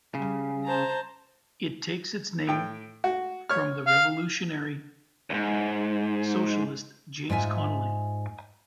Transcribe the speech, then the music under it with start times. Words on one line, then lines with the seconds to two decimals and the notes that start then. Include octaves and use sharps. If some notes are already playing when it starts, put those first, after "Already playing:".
It takes its name from the revolutionary socialist James Connolly.
0.15 C#3 G3
0.65 C5 A5 A#5
2.47 A2 G5
3.04 F#4
3.49 C#5 F6
3.87 F5
5.30 D2 G#2
7.30 G#2 F4 E5 G#5